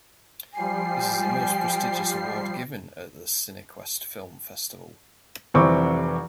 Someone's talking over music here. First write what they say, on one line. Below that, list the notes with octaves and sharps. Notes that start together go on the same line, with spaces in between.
It is the most prestigious award given at the Cinequest Film Festival.
F3 G3 G5 G#5 C7
F1 C2 E3 C4 C#6 D6